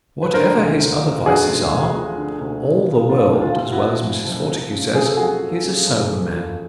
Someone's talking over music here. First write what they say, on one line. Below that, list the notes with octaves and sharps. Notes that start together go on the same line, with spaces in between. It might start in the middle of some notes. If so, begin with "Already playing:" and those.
Whatever his other vices are, all the world, as well as Mrs. Fortescue, says, 'he is a sober man.
B4
D3 A#4 C5
D2
D2
F3
D3 F#4 G#4
D2
D2
F3
D3
D2
D2
F3
D3 F4
D2
F4
D2
E4 F#4
F3
F2
F#1
F3
C#3
F2 G#4
A4
F#1 F#4 G#4
F3
C#3
F2
F#1
F3